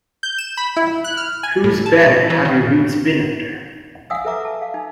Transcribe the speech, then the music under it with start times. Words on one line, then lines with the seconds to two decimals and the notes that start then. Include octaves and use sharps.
Whose Bed Have Your Boots Been Under?
0.23 G6
0.38 E7
0.57 B5
0.77 E4
1.04 F#6
1.17 F6
1.43 G#5
1.64 A2
1.86 A5
2.06 B2
2.30 E3
2.45 D#3
4.10 F5 F#5 G#5 D#6 E6
4.25 A4 B4 E5 A#5 D6
4.45 A5
4.62 F5
4.74 D#4